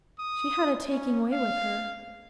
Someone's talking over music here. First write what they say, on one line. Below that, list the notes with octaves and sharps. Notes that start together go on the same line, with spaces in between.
She had a taking way with her.
D#6
C#4
F5